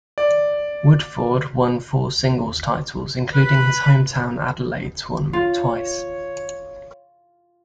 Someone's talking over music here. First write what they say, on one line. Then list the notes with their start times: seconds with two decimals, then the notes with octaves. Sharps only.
Woodforde won four singles titles, including his hometown Adelaide tournament twice.
0.18 D5
3.34 B4
5.33 F4 C#5